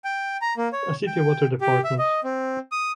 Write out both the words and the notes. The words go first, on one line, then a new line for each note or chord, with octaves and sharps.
A City Water Dept.
G5
A#5
A#3
C#5
G5
G4
E5
D#5
C4
D#6